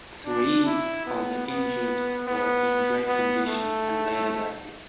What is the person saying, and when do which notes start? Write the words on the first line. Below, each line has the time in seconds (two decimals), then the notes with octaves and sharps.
Three of the injured were in grave condition and later died.
0.26 D4
0.65 E4
1.06 B3
1.46 B3
2.27 B3
3.07 B3
3.47 A3